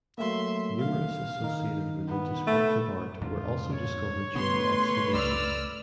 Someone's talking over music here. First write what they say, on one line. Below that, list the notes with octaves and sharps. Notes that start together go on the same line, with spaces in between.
Numerous associated religious works of art were also discovered during the excavations.
F#3 A3 A#3 E5 C6
F5
D#3 D#4
B3
A3
F2 G#2 D3 F4
C#5
B2 D3 A3 B3 B4 C6
C#2 D5 E6 F6